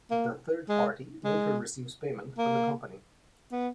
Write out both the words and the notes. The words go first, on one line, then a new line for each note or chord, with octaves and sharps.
The third party later receives payment from the company.
A#3
G#3
G#3
A#3
B3